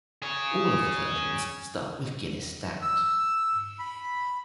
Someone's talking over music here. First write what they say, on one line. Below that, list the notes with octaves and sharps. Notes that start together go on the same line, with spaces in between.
All of the versions start with Guinness Stout.
G#4 C#5
E6
B5